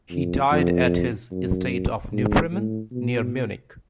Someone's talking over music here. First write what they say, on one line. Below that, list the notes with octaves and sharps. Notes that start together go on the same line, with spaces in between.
He died at his estate of Neufreimann, near Munich.
F2
F2
F#2
G#2
A2
B2